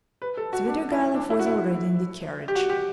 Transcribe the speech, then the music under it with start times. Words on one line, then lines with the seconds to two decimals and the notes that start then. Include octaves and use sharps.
Svidrigailov was already in the carriage.
0.22 B4
0.37 A4
0.53 F#4
0.68 D4
0.92 E4
1.15 D4
1.30 E4
1.39 F#4
1.46 E4
2.48 G4
2.55 F#4
2.70 G4